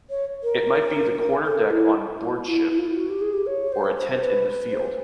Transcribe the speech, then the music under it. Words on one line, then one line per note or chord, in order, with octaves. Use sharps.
It might be the quarterdeck on board ship or a tent in the field.
C#5
A#4
A4
E4
E4
E4
F4
E4
F#4
G4
G#4
G4
C#5
C5
C5
B4
B4
C5